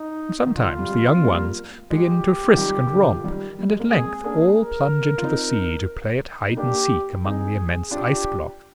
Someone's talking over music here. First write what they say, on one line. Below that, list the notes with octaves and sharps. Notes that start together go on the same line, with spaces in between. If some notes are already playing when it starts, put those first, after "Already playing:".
Sometimes the young ones begin to frisk and romp, and at length all plunge into the sea to play at hide-and-seek among the immense ice-blocks.
Already playing: D#4
D#3
D3 F3 F4
G3
F3 G#3
C4
G3 A#3
F3 G#3 G4
F3
D#3 G3
D3
D#3
F3
D#3 G3
G3
G#3
A#3
G#3 C4 G#4
A#3 D4 G#4
A#4
F4
C4 D#4
D#4
A#3 D4 G4
C4 D#4 G#4
D4 F4 G4